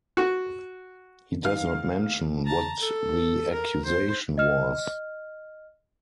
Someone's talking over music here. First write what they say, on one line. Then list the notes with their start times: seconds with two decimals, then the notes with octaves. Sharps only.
He does not mention what the accusation was.
0.17 F#4
1.44 D#3 F5 F6
2.45 A5 A#5
2.80 A4
3.52 A#4
3.85 C5
4.38 D#5 F6